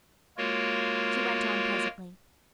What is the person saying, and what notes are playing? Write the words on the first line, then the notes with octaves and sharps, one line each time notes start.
She went on presently.
G#3 A#3 F4 F#4 A#4 C#5